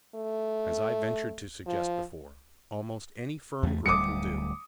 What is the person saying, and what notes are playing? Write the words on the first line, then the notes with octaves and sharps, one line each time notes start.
As I ventured to suggest before, almost any firm grip will do.
A3
F3
E2 A3
D1 A#1 G3 D6 D#6 C#7